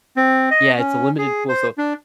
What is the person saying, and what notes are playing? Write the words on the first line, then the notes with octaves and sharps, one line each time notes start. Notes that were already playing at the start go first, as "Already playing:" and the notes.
Yeah, it's a limited pool, so
C4
D#5
C#4
G#4
C5
D4